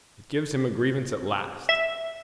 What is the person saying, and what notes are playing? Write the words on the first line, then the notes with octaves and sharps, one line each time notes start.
It gives him a grievance at last.
E5